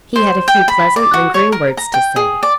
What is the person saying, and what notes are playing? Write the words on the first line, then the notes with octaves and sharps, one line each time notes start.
He had a few pleasant, lingering words to say.
C5
G5
B5
D5
F#4
C#5
A#4
A#5
G5
G#4
D5